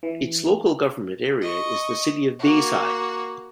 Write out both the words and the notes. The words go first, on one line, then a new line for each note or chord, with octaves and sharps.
Its local government area is the City of Bayside.
E3
D#5 C#6
A#3 F#4